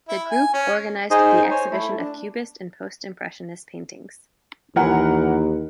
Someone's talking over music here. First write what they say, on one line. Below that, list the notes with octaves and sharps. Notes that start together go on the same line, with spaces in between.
The group organized the exhibition of Cubist and Post-Impressionist paintings.
E4
G#5
C#4
D#4 G#4 C5 D#5 G#5
C5 C#5 G#5
A3 E4
D4
D#2 E3 A#4 F#5